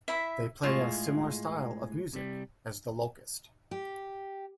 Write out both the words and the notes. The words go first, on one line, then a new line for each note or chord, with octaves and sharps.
They play a similar style of music as The Locust.
E4 E5
A2 G#3 F4 G#4 E5 C#6
C3 G3
G4